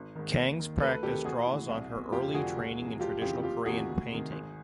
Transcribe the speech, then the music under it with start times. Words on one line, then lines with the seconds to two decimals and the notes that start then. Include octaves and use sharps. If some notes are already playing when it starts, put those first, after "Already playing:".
Kang’s practice draws on her early training in traditional Korean painting.
Already playing: G#1
0.15 G#2 D#3
0.38 D#2
0.59 D#3
0.81 D2 A4 B4
1.03 C3 D#3 G4 A4
1.24 A#1 F#4 G#4
1.46 E3
1.51 A2
1.69 C2
1.91 B2
2.12 F1 F4 G4
2.34 F2 D3 F#4 G#4
2.56 C#2
2.77 C3 E3
2.99 F1 F4 G4
3.21 F2 C#3 E3 F4 G4
3.43 F#1 F4 G4
3.66 E2 C3 D#3 F#4 G#4
3.88 D2
4.10 C3 D#3
4.31 G#1